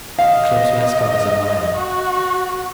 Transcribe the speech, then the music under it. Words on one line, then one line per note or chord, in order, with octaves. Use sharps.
The club's mascot is a lion.
D#5 F5
F#4